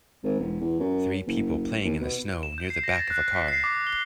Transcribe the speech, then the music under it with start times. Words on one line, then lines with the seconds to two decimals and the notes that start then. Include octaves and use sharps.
Three people playing in the snow near the back of a car.
0.24 G#1
0.40 E1
0.61 E2
0.80 F#2
1.26 F#1
1.84 D#2
2.01 B2
2.43 E7
2.58 G6
2.70 C7
2.83 A#6
2.99 A6
3.10 F#6
3.34 B6
3.48 C7
3.64 D6
3.87 G7